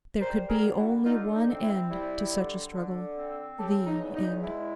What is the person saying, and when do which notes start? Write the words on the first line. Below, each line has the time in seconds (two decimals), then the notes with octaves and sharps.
There could be only one end to such a struggle--THE end.
0.20 G3 A#4 C5
0.48 G#4 A#4
0.63 D3
0.76 E4 F#4
1.04 D3 D#4 F4
1.33 D#4
1.47 C4
1.61 E4
1.90 G3 E4
2.31 D3
2.73 D3
3.15 C4
3.58 C#3 G4 A4
3.86 D#4
4.00 E2
4.15 D#4
4.42 G#3 E4